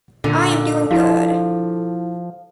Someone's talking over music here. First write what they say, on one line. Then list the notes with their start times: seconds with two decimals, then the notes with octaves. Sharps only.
I am doing good.
0.24 A#2 D3
0.91 F3 E4 G4 F5